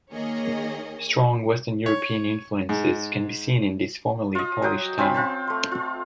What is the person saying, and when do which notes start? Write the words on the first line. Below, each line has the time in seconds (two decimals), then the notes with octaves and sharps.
Strong Western European influences can be seen in this formerly Polish town.
0.12 D#3 A#3 G#4 C#5 D#5
1.86 C#5
2.69 G#2
4.35 F4 D#5
4.62 F#3 F#4 G5 D#6
4.98 C4 C#4 F4 B5
5.14 F4 C5 A5
5.47 A3 C6
5.71 F4